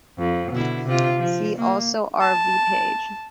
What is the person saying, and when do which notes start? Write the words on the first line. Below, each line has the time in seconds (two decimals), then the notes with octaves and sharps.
See also "R v Page".
0.18 F2
0.51 B2 D3 E4
0.86 C3 F4
1.20 F3
1.57 A#3
2.21 A5